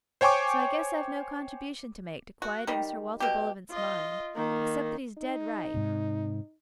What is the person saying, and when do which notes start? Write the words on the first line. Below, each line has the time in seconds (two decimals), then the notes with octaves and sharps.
So I guess I've no contribution to make to quieting Sir Walter Bullivant's mind, except that he's dead right.
0.21 C5 C#5 G5 G#5 C#6 D6
2.42 F#4
2.67 D#3 G3
3.20 B2 G4
3.71 F4 D#5
4.36 D#3 A#3
5.18 D#4
5.74 G#2 C3